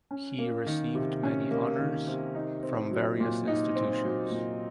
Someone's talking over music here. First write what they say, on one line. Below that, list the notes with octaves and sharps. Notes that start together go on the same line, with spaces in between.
He received many honours from various institutions.
C#4
A#3
D#3
C3
C#4
A#3
D#3
C3
D#4
C4
F#3
A#2
D#4
C4
F#3
A#2